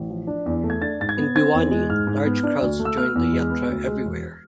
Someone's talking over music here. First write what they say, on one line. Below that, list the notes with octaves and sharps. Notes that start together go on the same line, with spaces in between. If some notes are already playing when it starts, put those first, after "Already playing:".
In Bhiwani, large crowds joined the Yatra everywhere.
Already playing: A1
F3
D4
E2
A3
G#6
D4 A6
G#2 A6
G#6
B3
C4 G#6
E2
G#3
G#2 F6
G#2
B3
D4
D2
A3
E6
B3 F6
E2
G#3
B3
D2
G#3
E1